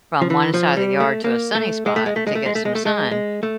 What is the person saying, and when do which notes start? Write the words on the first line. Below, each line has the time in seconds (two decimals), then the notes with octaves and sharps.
from one side of the yard to a sunny spot to get some sun,
0.22 F3
0.30 E3
0.54 F3
0.77 G3
1.00 A3
1.24 A#3
1.55 A3
1.86 G#3
1.96 A3
2.06 G#3
2.16 A3
2.27 G#3
2.35 A3
2.46 G#3
2.55 A3
2.65 G#3
2.75 A3
2.85 G#3
3.11 G#3
3.43 A3